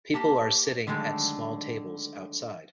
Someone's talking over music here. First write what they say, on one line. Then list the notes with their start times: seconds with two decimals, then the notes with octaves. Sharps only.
People are sitting at small tables outside.
0.14 A#3 G4 A5
0.87 D3 D#3 F#3 G#3 A3